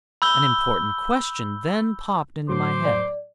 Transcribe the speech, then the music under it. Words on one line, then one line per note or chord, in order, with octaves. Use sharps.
An important question then popped into my head.
B5 E6 G6 G7
A2 F#3 C5 C6 D6
D5